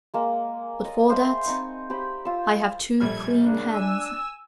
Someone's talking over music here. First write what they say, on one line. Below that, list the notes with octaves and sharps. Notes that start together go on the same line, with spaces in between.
But for that I have too clean hands.
G#3 A#3
D5 D#5
C5 E5 B5
C4 D#4 C#6
G4 C5 D#5 B5
F4 E6
A#1 G3 A4 F6 G#6
C#3 A#3 D4
G#5 E6